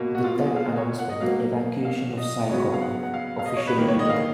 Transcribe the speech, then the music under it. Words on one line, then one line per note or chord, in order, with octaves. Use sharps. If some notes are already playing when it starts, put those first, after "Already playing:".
With that announcement the evacuation of Saigon officially began.
Already playing: B2 A#3
F#4
F4
F4
G#4
F5
D#5
C#5
F#5
D#5
B2 F#3 A#3 F5
F5
D#5
C#3 F#3 B3 C#5
F5
F#5
F#5
F5
F5
D#5
C#5
B4
D#3 A#3
C#5
D#5
F5